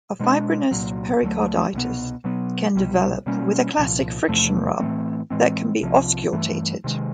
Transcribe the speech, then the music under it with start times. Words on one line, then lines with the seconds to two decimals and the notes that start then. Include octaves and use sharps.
A fibrinous pericarditis can develop with a classic friction rub that can be auscultated.
0.20 B2 G#3 B3 D4
0.71 C2 A#2 F#3
1.22 D2 D3 F#3 A3
1.73 C2 B2 G#3 B3
2.24 B2 F#3 B3
2.76 C2 B2 G3
3.26 B2 G3 A#3 C#4
3.77 C2 A#2 F3
4.28 E2 C3 F3 A3
4.79 A2 E3 A3 C4
5.30 A2 E3 G#3 C4
5.82 C2 C3 F3
6.33 G2 E3 A3
6.84 C3 D#3 G#3